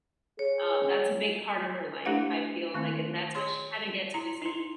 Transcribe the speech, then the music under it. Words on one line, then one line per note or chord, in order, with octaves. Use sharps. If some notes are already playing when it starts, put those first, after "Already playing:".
uh, that's a big part of her life, I feel like and that's why she kinda gets busy
G#4 C#5
A3 D4 E4 G4 F5 F#5
D#3 A3 C4 E4
G#4 C#5 C6
E4 A#5
D#4 E4